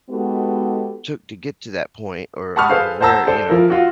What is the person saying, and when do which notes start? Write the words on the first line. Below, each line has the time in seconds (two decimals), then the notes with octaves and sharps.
took to get to that point or or where, you know
0.10 G#3 B3 D#4 F#4 G4 A4
2.56 F#5 A5 B5 C#6 D#6 F6
2.70 G#4 A4 B4 C5 F5
3.01 C5 F#5 A5 A#5 E6
3.26 A4 C5 D5
3.49 F3 E4 A#4
3.70 F4 F#4